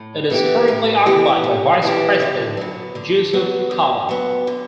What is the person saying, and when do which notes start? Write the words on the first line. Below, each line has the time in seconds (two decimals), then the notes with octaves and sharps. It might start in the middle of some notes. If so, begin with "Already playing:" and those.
It is currently occupied by Vice President Jusuf Kalla.
Already playing: A2
0.30 E3 B3 E4 G4
0.68 A2
1.06 E3 B3 E4 G4
1.44 A2
1.82 E3 B3 E4 G4
2.20 D3
2.57 F#3 B3
2.95 D3
3.33 F#3 B3
3.71 D3
4.09 F#3 B3
4.47 D3